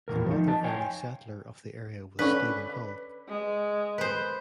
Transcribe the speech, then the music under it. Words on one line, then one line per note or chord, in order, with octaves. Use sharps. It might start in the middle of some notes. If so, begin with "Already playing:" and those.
Another early settler of the area was Stephen Hull.
E2 A2 C#3 A#4
F3 D#4
D#5 A5
C#5 F5 G5 G#5
D3 C#4 B4 C#6
G#3
B4 C5